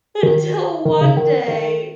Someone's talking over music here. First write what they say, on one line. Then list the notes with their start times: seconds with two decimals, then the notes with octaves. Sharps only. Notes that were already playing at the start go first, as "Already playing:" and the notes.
Until one day,
0.23 D#3
0.85 D#3
1.01 C#3
1.17 D#3
1.48 D#3